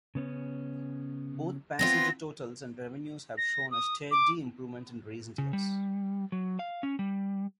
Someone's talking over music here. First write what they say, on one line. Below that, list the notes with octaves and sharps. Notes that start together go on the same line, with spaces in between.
Both passenger totals and revenues have shown a steady improvement in recent years.
C#3 B3 C#4
B3 C4 F4 A#6
A#6
D#6
D6
C#3
G3
F#3
F5
C#4
G3